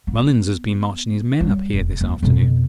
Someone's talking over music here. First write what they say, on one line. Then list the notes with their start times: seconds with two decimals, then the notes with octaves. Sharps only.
Mullins has been marching his men up here this afternoon.
0.07 B3
1.40 F#3 G3
1.73 E1
2.01 D#2
2.22 F2 B2